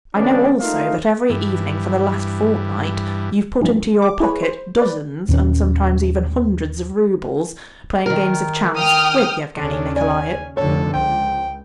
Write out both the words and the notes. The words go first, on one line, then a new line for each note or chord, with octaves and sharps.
I know also that every evening for the last fortnight you've put into your pocket dozens and sometimes even hundreds of roubles, playing games of chance with Yevgeny Nikolaitch.
D3 E3 G#3 B3 C#4 D4
A3 A#3 D#4 F4 A#4 F5
G2 E3
G2 A#2 C#3 E3 F3 G3
D6
E4 G#4 B4 C#5
C5
B4 D5
D#2 A#2 C#4
D#3 A#4
G5 D#6 F6
D#2 C#3 C#4 D4 A4
D5 G#5
F1 D3 A4 C#5
C#2 F3 G5